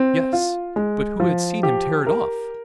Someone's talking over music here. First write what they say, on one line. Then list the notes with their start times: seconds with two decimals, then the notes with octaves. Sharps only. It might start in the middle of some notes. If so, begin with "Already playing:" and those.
Yes! but who had seen him tear it off?
Already playing: C4
0.33 F4
0.76 G#3
1.20 F3
1.63 G4
2.07 A#4